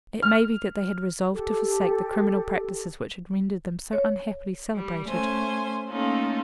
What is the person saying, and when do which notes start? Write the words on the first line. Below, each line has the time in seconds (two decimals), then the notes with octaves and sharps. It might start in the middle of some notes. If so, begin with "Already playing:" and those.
It may be that they had resolved to forsake the criminal practices which had rendered them so unhappily celebrated.
0.22 F6
1.32 G4 A4
3.93 C#5
4.74 G3
5.08 A3 C#4 C5 G#5
5.89 A3 A#3 C#4 D#4 F4 A4